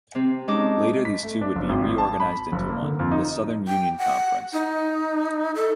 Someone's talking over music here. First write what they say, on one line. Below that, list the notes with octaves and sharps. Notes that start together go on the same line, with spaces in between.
Later these two would be reorganized into one, the Southern Union Conference.
C3 C4
G#3 C#4 D#4 A5 D6
B6
A3
D4
F#1
G#1
A5
B5
F#1
A#3
D3
F2
D#4
G5
F#5
D#4
A4